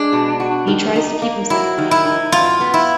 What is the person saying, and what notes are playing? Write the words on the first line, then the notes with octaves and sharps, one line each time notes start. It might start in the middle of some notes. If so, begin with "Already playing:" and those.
He tries to keep himself awake to avoid these.
Already playing: G#3 D4
B2
F#4
D#3
D#4
A#3
F#3 E4
D#3
E4
D#4
F#2 F4
B3
E4